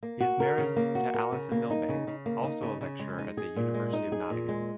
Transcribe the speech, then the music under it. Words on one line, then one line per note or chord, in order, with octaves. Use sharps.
He is married to Alison Milbank, also a lecturer at the University of Nottingham.
A#3
F#4
A#4
C#3
A#3
F#4
A#4
C#3
A#3
D#4
C#3
C#3
A#3
D#4
C#3
C#3
G#3
D#4
G#4
A#2
G#3
D#4
G#4
A#2
G#3